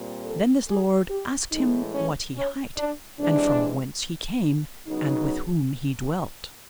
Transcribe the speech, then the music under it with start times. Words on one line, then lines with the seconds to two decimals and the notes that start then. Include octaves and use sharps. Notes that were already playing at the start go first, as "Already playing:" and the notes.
Then this lord asked him what he hight, and from whence he came, and with whom he dwelt.
Already playing: A#2 G3 C4
0.25 A4
0.68 G#4
1.09 G4
1.51 A2 E3 G#3 D#4
1.93 C#4
2.36 C#4
2.77 D4
3.19 C3 E3 G#3 D4
4.87 C#3 F#3 B3 D#4